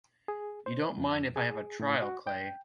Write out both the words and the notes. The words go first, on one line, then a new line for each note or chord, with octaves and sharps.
You don't mind if I have a trial, Clay.
G#4
C5
F2
G#4
A2
F#4
G5